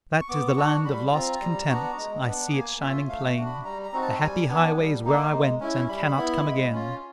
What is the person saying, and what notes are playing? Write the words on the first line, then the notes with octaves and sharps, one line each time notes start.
That is the land of lost content, I see it shining plain, The happy highways where I went And cannot come again.
C#6
B3 D6
C#6
D4 F#4
C#6
G3 B5
C4 F4 A#5
G3
B3 D4 F#4
G#3
B3 D4
A#3 G#5
C#4 F4 E5
A3 F5
D4 F#4
B5
G3 A#5
A#5
C4 D#4 F#4
A5
G3 G#5
B3 D4
G3
A#3 D#4
G#3
C#4 E4
G3 B5
B3 E4
G#3
C#4 F4